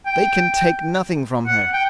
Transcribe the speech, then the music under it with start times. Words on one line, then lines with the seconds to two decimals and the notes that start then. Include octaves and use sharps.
"They can take nothing from her."
0.06 G5
1.47 F#5
1.74 G5